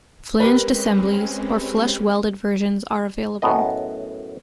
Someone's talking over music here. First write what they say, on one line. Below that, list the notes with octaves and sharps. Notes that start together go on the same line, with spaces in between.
Flanged assemblies or flush welded versions are available.
G#3 C4 C#4 G4 A#4 B4
F#2 A2 B3 D#5